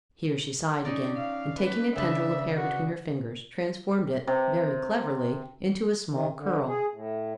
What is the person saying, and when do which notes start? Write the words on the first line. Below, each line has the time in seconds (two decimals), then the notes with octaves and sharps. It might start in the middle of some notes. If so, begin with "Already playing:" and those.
Here she sighed again, and, taking a tendril of hair between her fingers, transformed it, very cleverly, into a small curl.
0.85 C#4 D#4 D5
1.17 F5
1.59 B4
1.96 C#3 D4 B4 E5
2.57 F#4
4.27 C3
6.10 D#3
6.36 D3
6.67 G#4
6.92 A2